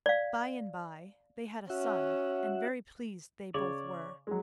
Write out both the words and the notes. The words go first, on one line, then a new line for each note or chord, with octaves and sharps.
By and bye they had a son, and very pleased they both were.
D5 F5
C#4 F#4 E5 F#5
C#3 C#5 D5
F#3 G#3